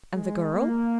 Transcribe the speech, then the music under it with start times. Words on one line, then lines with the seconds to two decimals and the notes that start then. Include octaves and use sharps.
"And the girl?"
0.14 G#3
0.52 A#3